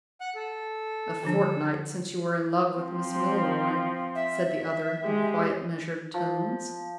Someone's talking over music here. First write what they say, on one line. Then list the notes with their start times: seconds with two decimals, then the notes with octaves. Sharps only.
"A fortnight since you were in love with Miss Milroy," said the other, in quiet, measured tones.
0.21 F#5 F#6
0.35 A4
1.23 D3 F3 D4
2.78 F3 C4
4.15 E5
5.02 G#3 G4
6.14 F3